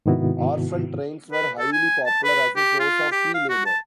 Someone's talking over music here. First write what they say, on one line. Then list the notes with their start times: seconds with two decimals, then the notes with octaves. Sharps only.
Orphan trains were highly popular as a source of free labor.
0.06 G#2 C3 D#3 B3 E4 F#4
1.32 B4
1.59 A4
1.73 G#5
2.06 A5
2.24 B4
2.56 G4
2.80 F4
3.12 G4
3.34 F5
3.50 F#4
3.66 A5